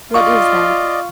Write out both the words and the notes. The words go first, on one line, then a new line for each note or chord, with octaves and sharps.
What is there?
F4 D5 D#5 F5 C#6